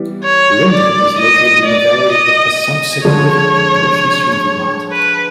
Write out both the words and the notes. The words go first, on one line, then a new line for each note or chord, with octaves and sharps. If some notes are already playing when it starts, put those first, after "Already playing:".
Lyndon is located in the valley of the Passumpsic River in northeastern Vermont.
Already playing: E3 G3 B3
C#5
D5
D#5
D5
D#5
D#5
D3 F3 G#3 C#5
B4